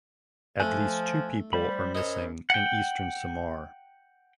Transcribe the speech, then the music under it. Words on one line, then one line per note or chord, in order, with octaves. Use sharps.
At least two people are missing in Eastern Samar.
F3 A3 G#5 F#6
G3 C5 B5
F#2 D#4 C#5
F#5 G5